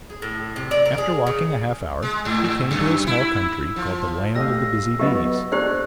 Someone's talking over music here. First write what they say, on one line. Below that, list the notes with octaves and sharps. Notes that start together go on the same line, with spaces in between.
After walking a half hour, he came to a small country called the Land of the Busy Bees.
G#4
A2
C3
D5
A#4
G#4
C#3
G#3
G#2
F#2
E4
F3
A2 G4 D#5 F5 E6 A#6
F#3 B3 F#4 G4 D#5 E5
D4 G4 C5 D5 F#6